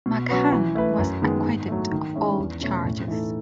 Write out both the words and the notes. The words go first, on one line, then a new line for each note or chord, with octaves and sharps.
McHann was acquitted of all charges.
B2
F#3 C#4 F#4 B4
E3
A3 E4 B4
F#2
D#3 G#3 B3
G#2
F#3 A3
D#3
G#3 C#4 E4
E2
B2 A3 C#4
A2
E3 A3 D#4 A4